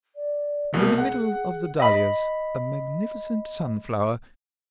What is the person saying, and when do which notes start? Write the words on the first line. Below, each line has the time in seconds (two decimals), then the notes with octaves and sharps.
And in the middle of the dahlias, a magnificent sunflower!
0.16 D5
0.74 C2 B2 A3 A#4
0.98 G#4 F#5
1.80 D#5 B5